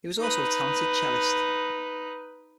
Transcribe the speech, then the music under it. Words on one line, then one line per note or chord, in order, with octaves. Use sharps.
He also was a talented cellist.
D#4 B4